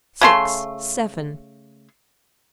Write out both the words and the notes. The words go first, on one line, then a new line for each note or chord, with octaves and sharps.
Six! Seven!
C#3 A3 C6